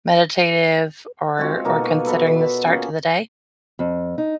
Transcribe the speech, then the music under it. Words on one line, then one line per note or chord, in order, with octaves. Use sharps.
meditative, or or considering the start to the day?
G#3 C4 F4 F#4
B2 A#3 D#4 A4
C#5
B3 A4 B4
D5 E5
A#3 C#4 F4 G#4
F2
D#4